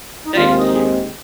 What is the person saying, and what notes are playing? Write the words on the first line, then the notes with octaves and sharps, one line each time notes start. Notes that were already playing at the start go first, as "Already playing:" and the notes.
Thank you.
D#4
D#2 D#3 G#3 C4 F4
D#4
G#4